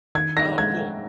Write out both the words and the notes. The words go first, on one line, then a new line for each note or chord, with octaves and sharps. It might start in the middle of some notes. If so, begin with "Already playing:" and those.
Oh, cool.
D#3 G#6
D#4 A#6
G#3 G#6